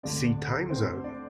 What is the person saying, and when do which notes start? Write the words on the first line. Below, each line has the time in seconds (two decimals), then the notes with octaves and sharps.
See Time zone.
0.03 D2 D3 A3 C4 D4 D5
0.70 C4 C5
1.04 D4 D5